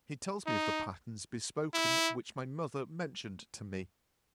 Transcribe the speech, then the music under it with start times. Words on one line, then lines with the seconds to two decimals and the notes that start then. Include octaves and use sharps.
He tells me of the patterns bespoken which my mother mentioned to me.'
0.47 D#4
1.74 E4